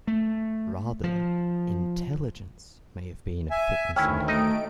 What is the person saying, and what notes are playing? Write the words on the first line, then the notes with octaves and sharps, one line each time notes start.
Rather, intelligence may have been a fitness indicator.
A3
F3
E5 G#5
D2 D#3 C#4 E4 G5 F6
A3 D#4 D#5 D7